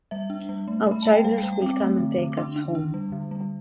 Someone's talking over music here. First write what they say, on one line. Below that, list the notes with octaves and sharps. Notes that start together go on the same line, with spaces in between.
Outsiders will come and take us home.
G3 E5
D4
G3
A3
A3
B5
A3 A5
G5
G3 F5
G5
G3
G5
C4 D6
A3
D3
D3
D6
D4 C6
D4
D4
G3
D3
G3